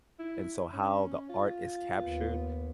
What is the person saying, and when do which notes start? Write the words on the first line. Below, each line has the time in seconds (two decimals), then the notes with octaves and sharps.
and so how the art is captured,
0.19 E4
0.73 C#4
1.29 F4
2.00 D#2 B3